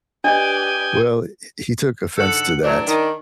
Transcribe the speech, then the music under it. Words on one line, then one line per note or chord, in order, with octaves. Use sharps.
Well, h he took offense to that
D4 G4 B4 D5 D#5 G5 G#5 D#6
G#2 D3 A4 F#5
A2 E3 F#3 D4
D#3